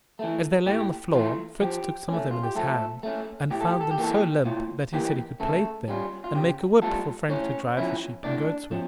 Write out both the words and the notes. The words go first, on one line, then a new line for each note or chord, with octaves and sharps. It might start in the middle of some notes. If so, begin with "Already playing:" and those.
As they lay on the floor, Fritz took some of them in his hand, and found them so limp, that he said he could plait them, and make a whip for Frank to drive the sheep and goats with.
E3 A3
A2 G4
E3 A3 F4
F3 G4
A3 C#4
F4
G4
F3 A3 A4
A3 C#4
A2 G4
A4
G4
A4
G4
E3 A#3 A4
G4
A2 F4
E3 A#3 G4
C#3 A3 A4
G3 C#4 F4
F4
C#3 G4
G3 A3 C#4 F4 A4
A2 C#4 C#5
F3 C#4 E4
A2 D4 D5
F3 C#4